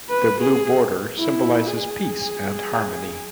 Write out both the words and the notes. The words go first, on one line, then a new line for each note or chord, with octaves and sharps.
The blue border symbolizes peace and harmony.
B4
G#4
E4
G#4